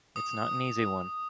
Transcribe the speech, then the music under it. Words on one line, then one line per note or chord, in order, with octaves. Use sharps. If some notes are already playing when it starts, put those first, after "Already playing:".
It's not an easy one.
D#6